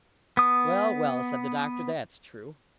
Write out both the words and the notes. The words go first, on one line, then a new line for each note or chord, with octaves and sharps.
'Well, well,' said the Doctor, 'that's true.
B3 D#6